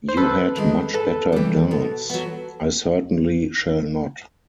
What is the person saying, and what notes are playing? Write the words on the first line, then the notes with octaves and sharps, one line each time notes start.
You had much better dance. I certainly shall not.
C5
D#2 A4 B4
D#3 G#3
G#2 A4 B4
E3 G3
B2
F#3 B3